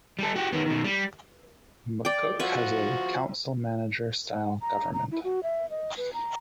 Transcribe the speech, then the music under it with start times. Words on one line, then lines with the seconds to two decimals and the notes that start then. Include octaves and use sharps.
McCook has a council-manager style government.
0.19 G3 A4
0.36 F#4 G4
0.53 D#3 B3
0.66 B2 D#3
0.84 G3
2.05 D5 G5
2.40 F3 F#4 B4 E5
4.31 F#5
4.61 A#5
4.93 A#5
5.11 E4
5.24 F#4
5.43 E5
5.70 D#5
5.97 B4
6.13 A#5